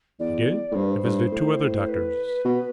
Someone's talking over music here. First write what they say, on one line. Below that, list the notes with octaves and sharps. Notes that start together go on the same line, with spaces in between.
He did, and visited two other doctors.
E2 D5
A2
G2 C5
B4
C5
G2
A2
B4
B2